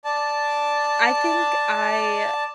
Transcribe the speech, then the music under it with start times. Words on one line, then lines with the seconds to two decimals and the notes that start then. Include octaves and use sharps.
I think I
0.05 D5 A5